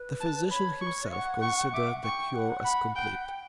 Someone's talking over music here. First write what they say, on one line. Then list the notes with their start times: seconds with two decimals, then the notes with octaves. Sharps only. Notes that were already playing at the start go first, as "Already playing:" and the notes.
The physician himself considered the cure as complete.
Already playing: B4
0.21 A5
0.45 D5
0.51 C#5 B5
0.81 C#6
1.12 F#5 C#6
1.42 C#6
1.73 E5 D6
1.89 F#5
2.04 G5 C#6
2.35 F#5
2.65 B5
2.96 F#5 G5
3.11 F#5
3.26 G5